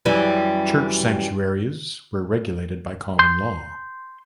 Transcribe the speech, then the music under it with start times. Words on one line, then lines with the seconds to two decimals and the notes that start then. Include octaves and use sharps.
Church sanctuaries were regulated by common law.
0.05 F#2 E3 G3
3.19 C6 G6